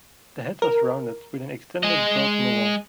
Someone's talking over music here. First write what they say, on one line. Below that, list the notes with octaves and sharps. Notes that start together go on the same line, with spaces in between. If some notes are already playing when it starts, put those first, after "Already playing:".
The head was rounded with an extended broad muzzle.
A#4
G#3 D#5